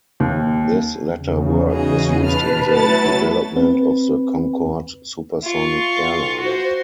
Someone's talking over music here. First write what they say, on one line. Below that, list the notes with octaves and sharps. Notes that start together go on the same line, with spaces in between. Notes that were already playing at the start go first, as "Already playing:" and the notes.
This latter work was used in the development of the Concorde supersonic airliner.
D#2
E2 C#3
D#4 F#4 G#4
B2 B4 A5 F6
F#3 A3 B3 E4 A6
C4 B4
F4 C#6
F#4 C5